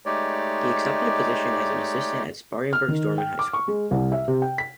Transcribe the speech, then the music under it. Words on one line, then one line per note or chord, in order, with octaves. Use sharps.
He accepted a position as an assistant at Spartanburg's Dorman High School.
G#3 A3 D#4 G4 C#5 D5
F6
D#3
G5
D6
C#6
G#3
C2
E5
C3
G5
B6